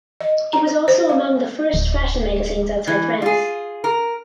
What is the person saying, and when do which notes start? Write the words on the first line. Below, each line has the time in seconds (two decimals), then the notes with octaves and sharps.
It was also among the first fashion magazines outside France.
0.21 D#5
0.53 A#5
0.88 C5
1.09 F5
1.74 D1
2.87 E3
3.22 F4 G#4
3.84 A#4